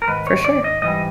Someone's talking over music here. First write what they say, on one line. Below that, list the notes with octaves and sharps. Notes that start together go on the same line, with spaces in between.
For sure.
A#4
G#2 D#3 B4
C#5
D5
D#5
G#2 E3 G3 D#5